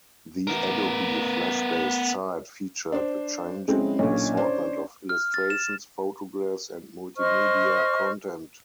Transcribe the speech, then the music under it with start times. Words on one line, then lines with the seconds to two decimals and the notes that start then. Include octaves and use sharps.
The Adobe Flash-based site featured a changing assortment of illustrations, photographs, and multimedia content.
0.47 B3 A#4
2.92 D4 C5
3.68 G#3 C4 C#4 E4 D#5
3.99 B1 A#2 D4 C#5
4.37 C5 D5 C6
5.09 F6
5.34 A6
5.50 E7
7.17 C5 D#5 C#6 F6